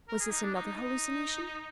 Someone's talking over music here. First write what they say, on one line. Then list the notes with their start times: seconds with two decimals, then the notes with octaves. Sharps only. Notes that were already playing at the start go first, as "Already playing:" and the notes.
Was this another hallucination?
0.08 A#4
0.20 G#4
0.31 D#4
0.43 D4
0.54 D#4
0.66 D#4
0.77 D#4